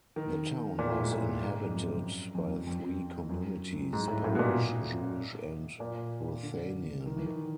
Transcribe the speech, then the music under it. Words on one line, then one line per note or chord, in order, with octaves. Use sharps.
The town was inhabited by three communities - Polish, Jewish and Ruthenian.
D#3
A#2
A2
G#2
A2
G#2
F2
F#2
F2
F2
F2
F#2
G#2
A2
A2
B2
A#2
A#2
D3
D#3
E3
D#3